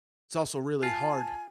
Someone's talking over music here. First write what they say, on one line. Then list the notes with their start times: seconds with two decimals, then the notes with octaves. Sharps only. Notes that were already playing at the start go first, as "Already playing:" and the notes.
It's also really hard.
0.83 F4 G#5 A5